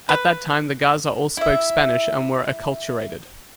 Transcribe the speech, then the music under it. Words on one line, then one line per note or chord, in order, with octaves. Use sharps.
At that time, the Garza all spoke Spanish and were acculturated.
B4
E4 E5